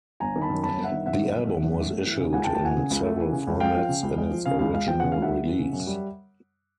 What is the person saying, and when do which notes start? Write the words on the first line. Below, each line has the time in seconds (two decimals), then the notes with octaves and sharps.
The album was issued in several formats in its original release.
0.20 G1 G#5 A#5
0.36 D#3
0.42 A5 B5
0.50 F#2
0.63 G1 A5 B5
0.77 G1
0.84 E5 F#5
0.92 D#3
1.06 F#2 E5 F#5
1.21 G1
1.35 G1
1.48 D#3
1.62 F#2
1.76 G1
1.90 A3
2.05 E3
2.18 C#3
2.33 C#2 F#5 G#5
2.44 G5 A5
2.48 A3
2.55 G5 A5
2.61 E3 F#5 G#5
2.76 C#3
2.90 C#2
3.03 A3
3.19 E3
3.32 C#3
3.47 C#2
3.60 G#3 F5 G5
3.75 F3
3.89 C#3
4.03 C#2
4.18 G#3
4.31 F3
4.45 C#3 F5
4.59 C#2 F5
4.74 G#3 F5
4.87 F3 G5
5.00 C#3 F#5
5.12 C#2 F5
5.22 E5 F#5
5.31 G3
5.44 E3
5.59 C#3
5.73 F#2
5.87 G3